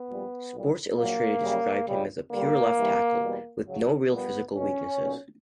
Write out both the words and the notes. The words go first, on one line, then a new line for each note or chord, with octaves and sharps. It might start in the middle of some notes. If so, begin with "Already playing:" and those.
"Sports Illustrated" described him as "a pure left tackle" with "no real physical weaknesses".
Already playing: B3
A#1 A#2 G3
B1 A#2 G3
A#1 A#2 F#3 A#3
F#2 C#3 G3
C#2 C#3 G3
G2 D3 G3 A#3
G2 E3 G3
E2 B2 G3
C#2 C#3 F#3
A#1 A#2 G3 B3
C#2 B2 F#3 C#4
B1 A#2 F#3